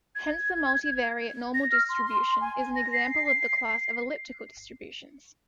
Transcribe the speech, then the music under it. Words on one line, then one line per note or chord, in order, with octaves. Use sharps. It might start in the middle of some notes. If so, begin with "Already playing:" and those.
Hence the multivariate normal distribution is an example of the class of elliptical distributions.
G#6
A#6
F6
C6
C6
C6
G#5
G#5
A#6
C7